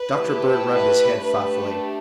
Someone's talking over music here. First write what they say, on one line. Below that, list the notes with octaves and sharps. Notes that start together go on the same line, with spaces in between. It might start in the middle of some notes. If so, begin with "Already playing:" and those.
Dr. Bird rubbed his head thoughtfully.
Already playing: B4
A3 E4 G4
B4
A3 D4 G4 B4